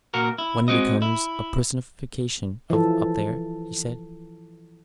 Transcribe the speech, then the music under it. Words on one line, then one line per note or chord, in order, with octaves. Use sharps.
"One becomes a personification up there," he said.
A#2 A#3 F#4 A#4
E4
G#3 C4 F#4 D#5
E4
E3 F3 A4